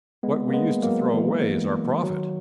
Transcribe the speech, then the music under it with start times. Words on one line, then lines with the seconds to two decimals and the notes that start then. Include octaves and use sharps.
What we used to throw away is our profit.
0.23 G#3 B3
0.49 A#3
0.53 G#3 B3
0.83 F#3 A#3
1.13 E3 G#3
2.03 D#3 F#3